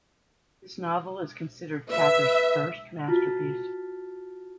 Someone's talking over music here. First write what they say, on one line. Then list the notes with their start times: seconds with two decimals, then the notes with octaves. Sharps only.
This novel is considered Cather's first masterpiece.
1.89 B4 E5
3.08 F4 F#4 A5 F6 A6 B6